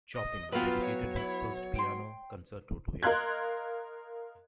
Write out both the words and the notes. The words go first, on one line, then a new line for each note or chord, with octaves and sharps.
Chopin dedicated his first piano concerto to him.
D#5
F#3 B3 F4 B4 F5 G5
C#5
E4
G5 C6
A#4 D#5 F5 C6 F#6 G#6